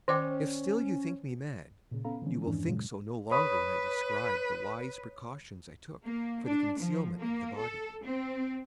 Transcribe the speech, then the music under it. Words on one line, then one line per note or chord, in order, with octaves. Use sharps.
If still you think me mad, you will think so no longer when I describe the wise precautions I took for the concealment of the body.
D#3 C#4 C5 D5 G5 D6
A#2 C#3
B3 C#4 A4 F5 A#5 B5
D3 E3 F3 G#3 C#4
F2 G#2 D#3 E3 C#4 D4
F#2 A#2 C#3 F#3 G#3
B4 C#5 B5 D#6
A#3
D4
F3
A#3
A4
C4